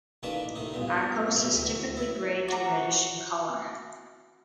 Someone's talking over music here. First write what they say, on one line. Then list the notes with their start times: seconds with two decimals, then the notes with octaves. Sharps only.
Arkose is typically grey to reddish in colour.
0.23 A1 D#3 A#3 B4 D5 A5
0.56 A2 D#3 D#4
0.74 G2 A#2 B3
1.36 A3 B3
1.53 D2 E3 F#4 B5
1.97 E4
2.48 F#4 A#5